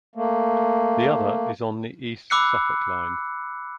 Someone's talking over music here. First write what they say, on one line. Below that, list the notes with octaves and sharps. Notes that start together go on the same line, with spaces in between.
The other is on the East Suffolk Line.
A3 A#3
B5 D6 E6 F#6 C7 C#7